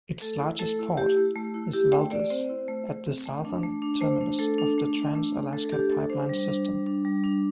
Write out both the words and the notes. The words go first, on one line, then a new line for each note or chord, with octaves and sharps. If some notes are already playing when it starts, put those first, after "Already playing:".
Its largest port is Valdez, at the southern terminus of the Trans-Alaska Pipeline System.
A3 A4
E4
A3 A4
E4
A3 G4
E4
A3
E4
E4 G4
A3 G5
A3 D5
C4 C5
E4
A3
A3
C4
A3
D4
A3
D4
A3 C5
D4
A3 A4
D4
A3
D4
A3
D4
A3 A4
A4
D4 G4
A3 A4
D4 C5
G3
D4
G3
D4
G3
D4